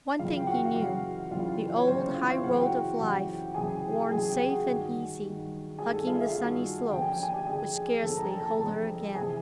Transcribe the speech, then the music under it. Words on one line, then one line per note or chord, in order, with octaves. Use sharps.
One thing he knew: the old highroad of life, worn safe and easy, hugging the sunny slopes, would scarcely hold her again.
F#2 C#3 E3 F4 F5
G5
F#4 F#5
F5
F#2 C#3 E3 F#4 F#5
F#2 C#3 E3 F4 F5
C#5
F#2 C#3 E3 C4 C5
C#4 C#5
F4 F5
F4 F5
F#2 C#3 E3 F#5
G5
F#4 F#5
F#2 C#3 E3 G4 G5
G5
F#2 C#3 E3 G#4 G#5
F#2 C#3 E3 G#4 G#5
G4 G5
F#4 F#5
G2 D#3
G2 D#3
G2 D#3 G#4 G#5
A4 A5
F4 F5
E5
F4 F5
G2 D#3 F#4 F#5
F2 D3 G5
G#5
G5
G#5
G4 G5
F2 D3 G#4 G#5
F2 D3 A4 A5
A#4 A#5
A4 A5
A4 A5
F2 D3
F2 C3 E3 G#4 G#5